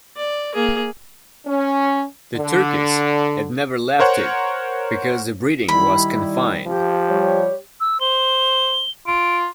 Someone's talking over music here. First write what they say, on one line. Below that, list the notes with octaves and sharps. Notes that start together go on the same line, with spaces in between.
The turkeys had never left it because the breeding was confined.
D5
A#3 G#4
C#4
D3
A#4 C5 C#5 F#5
D#3 G3 E4 B5
F3 G4
G3 C#5
E6
C5 G7
F4 D7